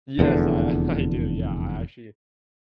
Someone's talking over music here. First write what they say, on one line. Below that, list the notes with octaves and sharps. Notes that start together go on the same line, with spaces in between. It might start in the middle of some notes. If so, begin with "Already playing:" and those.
Yes, I I do, yeah, I actually
F1 E2 G#2 D3